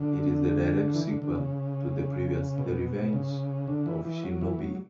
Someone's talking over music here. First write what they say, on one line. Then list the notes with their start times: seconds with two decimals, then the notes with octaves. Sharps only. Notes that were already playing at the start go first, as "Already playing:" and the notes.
It is the direct sequel to the previous "The Revenge of Shinobi".
Already playing: D3
0.94 E3
1.08 D3
1.22 D3
1.36 C#3
2.58 B2
3.13 C#3
3.68 D3
3.86 E3
4.05 E3
4.24 F#3
4.41 E3
4.59 F#3